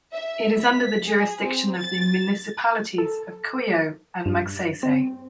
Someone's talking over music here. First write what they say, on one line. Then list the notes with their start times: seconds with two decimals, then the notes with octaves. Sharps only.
It is under the jurisdiction of the municipalities of Cuyo and Magsaysay.
0.13 E5
0.59 B6
1.06 G#4
1.42 C4
1.78 A6
2.98 A4
4.26 G2
4.83 C4